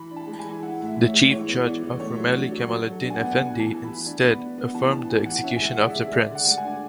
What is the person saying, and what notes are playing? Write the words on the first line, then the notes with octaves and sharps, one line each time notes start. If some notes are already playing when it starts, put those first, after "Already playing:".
The Chief Judge of Rumeli Kemaleddin Efendi instead affirmed the execution of the prince.
Already playing: E3 B5
D4
A5
G#3
A5
G#5
E3
E4 F#5
A2
E5
A2
G#3 C#5
E3 C#5
B3
E3 D5
E3
A3 C#5
F#3
D4
F#3
F#3
F#3
A4
D4
G#5
F#5
B3
F#5
B3 G#5
E3
A5
E3
E3 B5
D4
B3
D4
B3
E3 A5
D4 A5
E3 G#5
E3 F#5
C#4 E5
G#3 G#5
F#5
C#3 D5
E5
C#3
G#3 D5
D3
F#5
G#3 F#5
G#5
D4